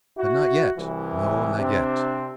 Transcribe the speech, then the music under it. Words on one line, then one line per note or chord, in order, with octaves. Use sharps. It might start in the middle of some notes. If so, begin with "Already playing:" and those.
But not yet--no, not yet.
E4 F#4
C2 E3
C3 C4 D4